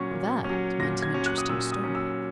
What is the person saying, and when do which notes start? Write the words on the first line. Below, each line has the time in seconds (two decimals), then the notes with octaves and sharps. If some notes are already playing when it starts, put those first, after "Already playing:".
That meant an interesting story.
Already playing: A#2 F#3 C#4 C#6
0.11 A#2
0.44 C#4
0.50 F#3
0.80 A#2 A#6
1.02 G#6
1.14 F#3 C#4
1.26 F#6
1.38 D#6
1.49 A#2 E6
1.72 D#6
1.84 F#3 C#4
1.95 E6